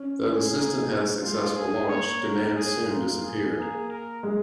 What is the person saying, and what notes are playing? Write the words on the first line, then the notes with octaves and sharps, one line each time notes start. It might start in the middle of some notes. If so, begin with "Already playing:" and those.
Though the system had a successful launch, demand soon disappeared.
Already playing: C#4
G#4
C#4
A#3
G#3 F4
G#4
A#3 C#5
A#4
G#4
A#3 F4
G#4
A#3 G#4
A#4
G#3